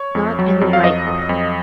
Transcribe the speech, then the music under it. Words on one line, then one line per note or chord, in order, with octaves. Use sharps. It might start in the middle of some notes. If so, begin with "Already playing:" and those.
'Not in the right way.
Already playing: C#5
F2
F#3
F2
F5
F2 D#5
F2
F2